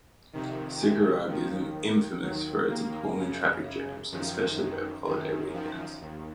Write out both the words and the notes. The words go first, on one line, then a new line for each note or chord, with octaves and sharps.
Cicurug is infamous for its appalling traffic jams, especially over holiday weekends.
F2 C3 D#3
G#3
D#2 D#3 F3
D#2 D#3 F#3
A#3
F#2 C#3
F#2 D#3 F3
F#2 D#3
F3
D#2